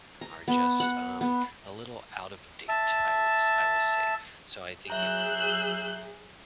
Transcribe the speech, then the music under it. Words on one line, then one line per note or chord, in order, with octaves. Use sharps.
are just, um, a little out of date, I would s I will say. So I think it's
A#5
B3
F#5
B3
E5 A5
F#3 G#4 E5 A#5 E6 F#6 G6